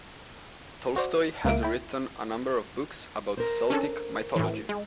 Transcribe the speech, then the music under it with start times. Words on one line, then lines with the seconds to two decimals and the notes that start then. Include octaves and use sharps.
Tolstoy has written a number of books about Celtic mythology.
0.96 F#4 C5 D5
1.45 C#2 A#3 E5 D7
1.63 E4 G5
3.37 A#4 C5
3.70 C#4 D4 A4
4.36 A2 E3
4.69 G#3